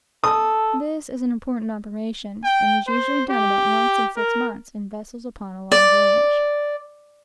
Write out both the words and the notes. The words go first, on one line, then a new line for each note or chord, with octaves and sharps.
This is an important operation, and is usually done about once in six months in vessels upon a long voyage.
A4 D#6
G5
C5
G4
A#4
D5